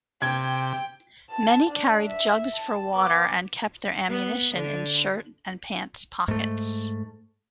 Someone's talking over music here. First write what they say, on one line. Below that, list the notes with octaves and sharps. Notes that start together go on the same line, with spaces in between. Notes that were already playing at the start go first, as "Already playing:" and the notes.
Many carried jugs for water and kept their ammunition in shirt and pants pockets.
C3 G5 G#6
A5
D4
E5
A5
B3 D6
B3
D3
G#2 A3